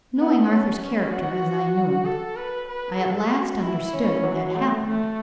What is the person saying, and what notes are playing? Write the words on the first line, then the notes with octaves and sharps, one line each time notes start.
Knowing Arthur's character as I knew it, I at last understood what had happened.
B3
C#4
F#4
A4
B4
B4
A4
F#4
E4
C#4
F#3
A3
A3